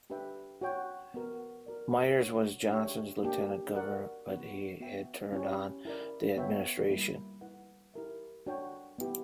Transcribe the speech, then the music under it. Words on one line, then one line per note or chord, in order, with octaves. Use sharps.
Myers was Johnson's lieutenant governor, but he had turned on the administration.
D4 G4 B4 E5 G5
F#4 C#5 G5
B3 F#4 A#4
F#4 A#4 D5
D4 F#4 C#5 F#5
D4 G4 C#5 E5 G5
A#3 D4 G4
F#4 A#4 D5 F#5
B3 F#4 B4 F#5
B3 F#4 B4 E5 G5
C#4 E4 G4 C#5
E4 A#4 D5
B3 F#4 C#5 E5 G5
G3 A#3 E4
E4 B4 F#5
E4 G4 A#4 E5
D4 F#4 C#5 G5
B3 E4 G4